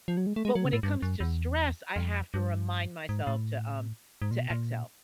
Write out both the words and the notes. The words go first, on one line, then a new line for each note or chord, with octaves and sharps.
But when it comes to stress, I have to remind myself to, um, to exhale.
F3
F#3
G#3
A3
G#3
F#3
C#3
A2
G2
F#2
E2
F2
G2
G#2
A2
G#2
A#2
B2
A#2